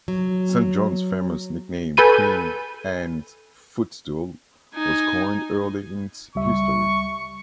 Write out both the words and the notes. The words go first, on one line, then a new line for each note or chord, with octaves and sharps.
Saint John's famous nickname 'Queen Anne's Footstool' was coined early in its history.
F#3
A4 B4 G#5 B5 G6 D#7
D#4 G#5
C#2 G3 E5 C#6